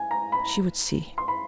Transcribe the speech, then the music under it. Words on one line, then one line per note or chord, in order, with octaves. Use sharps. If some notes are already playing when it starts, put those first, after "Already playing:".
She would see.
Already playing: G#5
A#5
B5
C6
B5